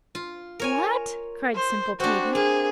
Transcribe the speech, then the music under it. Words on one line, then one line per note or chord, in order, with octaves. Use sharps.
"What!" cried simple Katy.
F4
A#4 C#5 G#5
C5
C4 D4 F#4
A#3 G#4